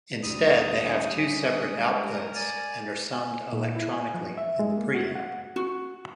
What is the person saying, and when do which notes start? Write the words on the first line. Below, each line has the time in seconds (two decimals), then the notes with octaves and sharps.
Instead, they have two separate outputs and are summed electronically in the preamp.
0.23 D2 C3 G3 D#6
0.82 D#3 C#4
1.11 C#4 D4
1.69 G#3
2.04 A#4
2.35 D5 G#5
3.13 G#5
3.53 A#2
3.76 E4
3.93 G#5
4.14 F3
4.38 E5
4.59 G#3
4.78 A#3
4.95 F#4
5.15 F#5
5.56 F#4